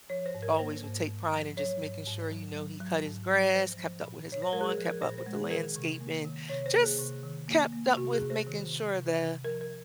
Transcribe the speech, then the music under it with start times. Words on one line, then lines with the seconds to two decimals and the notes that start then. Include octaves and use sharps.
always would take pride in just making sure, you know, he cut his grass, kept up with his lawn, kept up with the landscaping, just kept up with making sure the
0.10 F3 C#5
0.26 C5
0.35 G#2
0.42 A#4
0.59 A#3 C5
0.83 G#2
1.08 G#2
1.32 F3
1.57 F#3 C#5
1.82 G#2
2.07 G#2
2.31 F#3
2.56 F#3
2.80 F#3
3.05 G#2
3.30 F#3
3.54 F3 C5
3.79 F3
4.03 A#2
4.28 A#2 C#5
4.42 C5
4.53 G#3 A#4
4.61 G#4
4.69 A#4
4.77 F3
4.85 A#4
5.02 A#2 C5
5.18 C5
5.26 G#3
5.35 G#4
5.51 D#3 A#4
5.76 C3
6.00 A#3
6.25 D#3
6.49 C3 C#5
6.66 C5
6.74 A#3
6.82 G#4
6.99 C3
7.23 D#3
7.48 A#3
7.73 A#3
7.97 C3 F#4
8.13 G#4
8.21 C3
8.30 C5
8.47 D#3
8.71 C3
8.96 C3
9.20 C3
9.44 F3 A#4
9.61 A#4